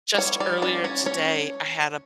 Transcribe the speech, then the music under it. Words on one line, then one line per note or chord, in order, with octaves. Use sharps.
just earlier today, I had a
D5
G3 C#5
G3 D5
C#4 D5
C#4 C#5
C#4 C#5